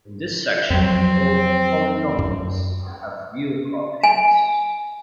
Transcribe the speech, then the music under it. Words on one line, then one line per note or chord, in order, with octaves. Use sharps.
In this section, all polynomials have real coefficients.
F2 F#3 C4
F#2
G#5